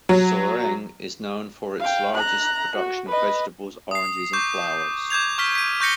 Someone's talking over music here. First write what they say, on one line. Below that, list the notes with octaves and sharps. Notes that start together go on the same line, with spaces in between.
Soreng is known for its largest production of vegetables, oranges and flowers.
F#3
F5 G5
A#5 F#6
F#4
B4 D#5
D#6 C7
C#6 D6 G6
D6 G6 G#6 F7
C#6 F6 B6
B6 D#7
C#6 G6 A#6 C#7 G7